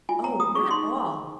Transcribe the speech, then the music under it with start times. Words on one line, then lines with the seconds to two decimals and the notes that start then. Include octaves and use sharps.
'Oh, not all!
0.09 F4 G#5
0.24 C#5 A#5
0.40 F4 D#6
0.55 G#4 C#6
0.71 D#4 C6